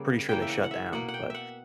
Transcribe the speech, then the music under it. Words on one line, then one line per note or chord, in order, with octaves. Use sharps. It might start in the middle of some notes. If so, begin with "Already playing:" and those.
pretty sure they shut down, but,
Already playing: C#3 G3 A#3
C#3 E3 A#3 G5
E5
F#5
F#5
E5
B2 A#3 F#5
F#5
G5
E5 F#5